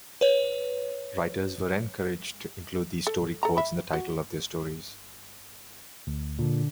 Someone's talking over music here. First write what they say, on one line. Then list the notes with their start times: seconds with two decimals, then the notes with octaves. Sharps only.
Writers were encouraged to include these story codes in the title of their stories.
0.21 B4 C#5
3.07 A4
3.43 A4 A#5
3.57 E5 B5
3.93 F#4
6.07 D2
6.39 A#2 D3